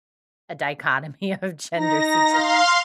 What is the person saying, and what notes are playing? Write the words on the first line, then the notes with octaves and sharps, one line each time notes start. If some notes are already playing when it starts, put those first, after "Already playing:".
a dichotomy of genders, which is
D#4 A#5 A#6
F5 C6